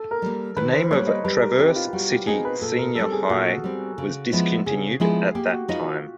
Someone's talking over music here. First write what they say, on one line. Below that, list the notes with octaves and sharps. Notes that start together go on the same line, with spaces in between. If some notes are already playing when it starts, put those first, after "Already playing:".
The name of Traverse City Senior High was discontinued at that time.
Already playing: A4
A#4
G3 A#3
D#3 B4
C5
G3 A#3 C#5
D#5
G3 B4
A#4
C4 D#4 G4
F4
F4
G3 F#4
G4
C4 D#4 G#4
B4
A#2 A4
A#4
G3 C4 A4
G#4
A#2 F#4
G3 C4
C#3
F3 G#3 B3 E4
C#3 G#4
F3 G#3 B3 E4 G#4
A#3 G4
F#4
D#4 F4 F#4 B4 D#5